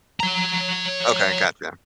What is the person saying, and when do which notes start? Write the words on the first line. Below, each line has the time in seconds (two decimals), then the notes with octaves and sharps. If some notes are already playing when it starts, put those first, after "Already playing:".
Okay, gotcha.
0.20 C#5 A#5